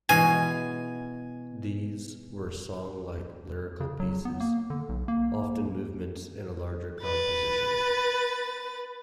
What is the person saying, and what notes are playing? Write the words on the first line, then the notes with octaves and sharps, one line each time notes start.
These were song-like, lyrical pieces, often movements in a larger composition.
B2 E3 G#3 G#5
C#3
F#3
B3
A#3
D3
B1
A#3
B4 A6